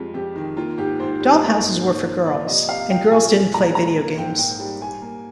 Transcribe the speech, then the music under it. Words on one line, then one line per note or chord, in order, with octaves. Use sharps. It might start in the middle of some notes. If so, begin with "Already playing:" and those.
Doll houses were for girls, and girls didn't play video games.
Already playing: F2 G3 G#3 F4
F2 G4
D#3
A#3 F4
G#2 G4
G#2 C5
G3
A#3
G#2
G#2
F3
A#3 D5
C3 D#5
C3 F5
F3 G5
A#2 G#5
G#3
A#2 A#5
G#3 A#5
A#3
G#2 G5
G#2 G5
G3
G3 G#5
A#3